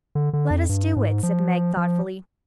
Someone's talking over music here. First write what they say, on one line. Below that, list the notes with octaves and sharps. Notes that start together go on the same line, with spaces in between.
"Let us do it," said Meg thoughtfully.
D3
D3
F2
G2
G#2
F3
F3